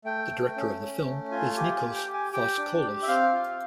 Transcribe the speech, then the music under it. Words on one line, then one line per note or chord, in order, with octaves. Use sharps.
The director of the film is Nikos Foskolos.
A3 G5
A3
C#4
C#4
A3
F4 G#5
G4 G#5
G#5
G4
G5
G4
G#5
G4 G5
D4
G4
E5
C4 F5
F4